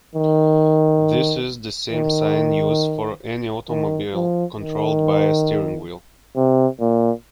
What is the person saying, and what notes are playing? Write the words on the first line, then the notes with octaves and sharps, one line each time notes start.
This is the same sign used for any automobile controlled by a steering wheel.
D#3
D#3
D#3
F3
D#3
C3
A#2